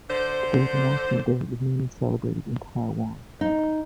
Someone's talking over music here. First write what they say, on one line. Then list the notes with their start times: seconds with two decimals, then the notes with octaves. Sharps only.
Today the National Day is mainly celebrated in Taiwan.
0.10 D3 C5
3.41 D#4